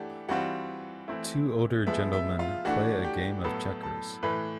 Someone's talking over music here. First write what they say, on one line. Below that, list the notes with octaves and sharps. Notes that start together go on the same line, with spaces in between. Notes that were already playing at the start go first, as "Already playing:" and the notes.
Two older gentlemen play a game of checkers.
Already playing: E3 A3 D4 G4 F#5
E3 G3 C4 F4 F#4 F#5
E3 A3 C4 E4
F3 G#3 B3 E5
E5
F4 F5
E3 A3 D4 F#4 F#5
G4 G5
A2 F#3 B3 A4 A5
A4 A5
A2 E3 A3 B4 B5